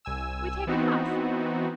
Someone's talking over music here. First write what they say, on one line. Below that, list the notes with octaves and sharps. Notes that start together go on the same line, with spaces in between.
We take a house.
C2 G#5 E6
E3 B3 C4 D#4 F#4